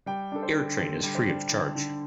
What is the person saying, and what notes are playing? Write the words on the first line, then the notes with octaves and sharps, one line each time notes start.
AirTrain is free of charge.
G3 G5
D4 A4
C5
D3
A4
D3 A4
G3
C5
D4
D3
D3